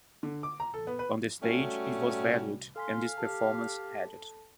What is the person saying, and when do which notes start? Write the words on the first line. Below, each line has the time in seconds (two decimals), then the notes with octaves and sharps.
On the stage, it was valued, and this performance had it.
0.23 D3
0.43 D6
0.60 A#5
0.74 A4
0.87 B3
0.99 B4
1.41 G3 A3 C#4 F#4
2.76 A4 F5 G#5 C6 B6
3.18 G4 A4 A5